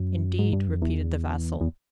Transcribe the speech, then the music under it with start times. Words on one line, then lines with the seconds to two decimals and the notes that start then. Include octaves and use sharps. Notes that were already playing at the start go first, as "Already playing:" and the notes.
"Indeed;" repeated the vassal.
Already playing: F#2
0.39 G#2
0.53 G2
0.68 F2
0.82 E2
1.61 E2